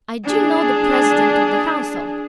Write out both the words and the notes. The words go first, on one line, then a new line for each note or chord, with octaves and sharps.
I DO know the President of the Council.
D4 G#4